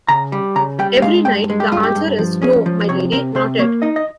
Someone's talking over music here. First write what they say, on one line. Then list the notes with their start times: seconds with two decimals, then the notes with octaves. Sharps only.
Every night the answer is, "No, my Lady, not yet."
0.08 C#3 A#5
0.32 G3
0.56 C#3 A#5
0.79 G3 G5
1.02 G#3 F5
1.25 G2 G5
1.50 G#3
1.60 G4
1.72 G2 F4
1.83 G4
1.95 G2
2.19 F3
2.42 C#4 G#4
2.66 F3
2.89 C3 C#5
3.12 C3 A#4
3.35 C3 C5
3.59 A#3 C#5
3.82 D#4 D#5
3.96 D#5